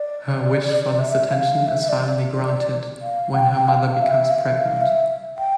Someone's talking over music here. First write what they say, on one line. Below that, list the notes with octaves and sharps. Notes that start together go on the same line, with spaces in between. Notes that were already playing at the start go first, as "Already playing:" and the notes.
Her wish for less attention is finally granted when her mother becomes pregnant.
Already playing: D5
E5
E5
F5
E5
E5
D5
D5
F5
G5
F5
E5
F5
E5
F5
E5
G5